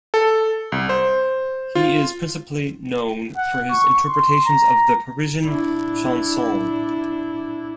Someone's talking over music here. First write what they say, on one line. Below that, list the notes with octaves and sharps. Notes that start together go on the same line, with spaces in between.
He is principally known for his interpretations of the Parisian chansons.
A4
C2
C5
F4
F#5
C#6
C6
A#5
D4 E4